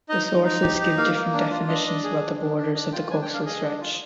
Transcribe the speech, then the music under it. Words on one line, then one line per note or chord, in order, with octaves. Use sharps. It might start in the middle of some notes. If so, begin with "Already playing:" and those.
The sources give different definitions about the borders of the coastal stretch.
D#4 D#5
D#4
D#4
G4
D#4
A#3 F5
A#3
D4
F4
D4 D#5
D4
G#4
D4
D4
D4
D4 D#5
F4 G5
D4 G#5
G5
D4
F5
G#4 D#5
D4
F4